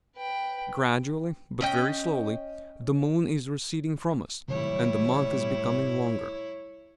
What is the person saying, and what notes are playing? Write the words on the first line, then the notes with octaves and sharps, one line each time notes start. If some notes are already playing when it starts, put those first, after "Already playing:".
Gradually, but very slowly, the moon is receding from us, and the month is becoming longer.
B4 G5
C#4 D#5 G5
A2 C3 D#3 F#3 G3 E4 C#5